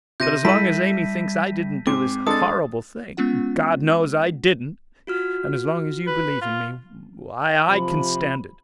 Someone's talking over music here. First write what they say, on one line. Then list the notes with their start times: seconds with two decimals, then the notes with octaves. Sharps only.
But as long as Amy thinks I didn't do this horrible thing--and God knows I didn't--and as long as you believe in me--why I can stand it.
0.20 C3 G6 A#6 D#7
0.45 G3 E4 A4 E5 B5 B6 D#7
1.87 G#2 C4 D6
2.27 G#3 D4 A4 D#6 A6
3.17 G#3 B3 C#4 F4 F#5
5.07 F4 F#4 F6
6.07 B4
6.42 F4
7.68 C3 F3 B5